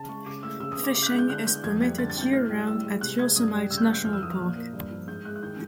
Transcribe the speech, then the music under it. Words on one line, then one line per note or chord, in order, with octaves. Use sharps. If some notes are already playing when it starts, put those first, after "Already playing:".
Fishing is permitted year-round at Yosemite National Park.
Already playing: C#3 A5
G#3 C#6
C#3 D6
A3 E6
C#3 E6
D#6
B3
D6
C#3 D6
G6
F#6
G#3
G6
D3 F#6
B3 G6
F2 G#6
G3 G#6
D3 A6
A6
C4
G6
A2 F6
G3
A2 E6
G#3
C3 F#6
G#3 G#6
G2 D#6
G3
C#3 E6
G6
F#6
B3
G6
F2 F6
E6
F3 D#6
F6
A#2
A#3
G2
F3
G#2 G6
G#3 F#6
F#6
D#3 G6